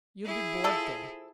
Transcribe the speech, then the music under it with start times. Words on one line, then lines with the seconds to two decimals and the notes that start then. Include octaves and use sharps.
You'll be bored there.
0.25 E4 G#4
0.64 F3 A4